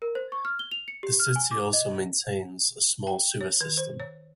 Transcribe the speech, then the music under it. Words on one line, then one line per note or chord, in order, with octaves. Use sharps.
The city also maintains a small sewer system.
A#4
C5
C#6
F6
G7
F7
C#7
G4
F6
G#5
D6
D#5
G5
C#5
D#3
C5
C#5